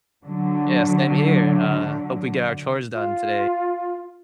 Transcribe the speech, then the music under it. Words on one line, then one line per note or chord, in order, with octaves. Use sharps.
Yeah, same here, uh, hope we get our chores done today.
D3 F#3
F4